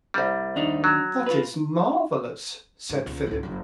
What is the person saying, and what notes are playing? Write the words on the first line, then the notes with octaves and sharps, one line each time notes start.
"That is marvelous!" said Philip.
C2 G3
D#2 D4 D#4
F#3
F4 B4
G#2 B2
C#2
G#1 C#2
F#1 F#2